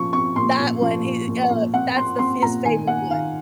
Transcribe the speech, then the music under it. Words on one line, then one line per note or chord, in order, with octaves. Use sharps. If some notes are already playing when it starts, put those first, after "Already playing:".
That one, he i i uh, that's the f his favorite one.
Already playing: A#2 F3 C#6
C4 C#6
A#2 C6
A#2
F3
A#2
A#2
A#2
C4 F#5
C4 C6
C4 C6
A#2 A#5
D#3 G#5
A#3 F#5
D#3 F5